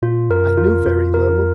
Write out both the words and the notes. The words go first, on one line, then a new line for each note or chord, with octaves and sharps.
I knew very little.
A#2 F4
F#2 A#4
F2 F4
F2 F4
A#4